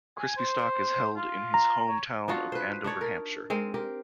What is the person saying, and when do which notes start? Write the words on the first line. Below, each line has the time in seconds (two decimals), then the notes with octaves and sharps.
Crispystock is held in his home town of Andover, Hampshire.
0.18 G#5
0.37 C5
1.17 F4
1.54 A#5
1.88 C#5
2.28 D4 D#4 F4 F#4
2.52 B4 C5
2.84 D4 D#4 C#5 D5
3.01 A#4
3.50 G#3 C4 A#4
3.74 G4 A#4